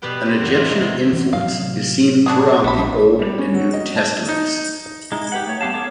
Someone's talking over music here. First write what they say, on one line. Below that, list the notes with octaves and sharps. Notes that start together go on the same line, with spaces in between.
An Egyptian influence is seen throughout the Old and New Testaments.
B2 G3 G4 B4 G5
C3
F#2 E3
C3 E3 G3 G#3 D#4 F4
E2 E5
G#3
E3 C#4
A2 C3 F#3 F5
D4 F#4 G#4
A#1 A3 B5
G3
C#4
F#3
D#5
A5
D#4
G#3 D#4 E4
G4 B4 F#5
A3 C#5
G3 B3 G4 F5 A5
G#4 A#4 C#5 A5 D6